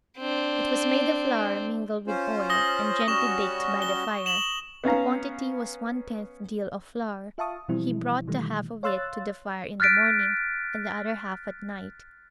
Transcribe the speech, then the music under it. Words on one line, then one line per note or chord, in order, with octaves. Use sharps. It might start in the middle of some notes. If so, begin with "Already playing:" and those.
It was made of flour mingled with oil, and gently baked by the fire; the quantity was one tenth deal of flour; he brought the half of it to the fire in the morning, and the other half at night.
C4 D4
C#4 F4 C5
D#6 A#6 G7
G3 C#4 F#4 C#6 E7
G7
E7 F#7
B3 C#4 F5 A#5
F4 E5 F5 A5 C#6 D#6
B2 E3 F3 G3 C4 E4
B2 D#3 E3 G3 A3
C#5 F5 C6 E6 F#6 A6
F6 F#6 A6 B6 D7